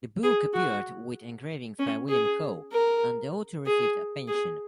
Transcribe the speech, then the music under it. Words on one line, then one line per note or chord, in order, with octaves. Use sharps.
The book appeared with engravings by William Hole, and the author received a pension.
G#4
F#4
C#4
G#4
A#4
G#4
G#4